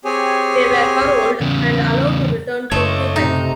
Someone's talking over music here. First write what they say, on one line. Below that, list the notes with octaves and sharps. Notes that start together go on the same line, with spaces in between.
They were paroled and allowed to return to Quebec.
C4 G4 G#4 C#5 G#5
E2 C#3
F#1 A3 C#5 D#5
C3 D#4 A#5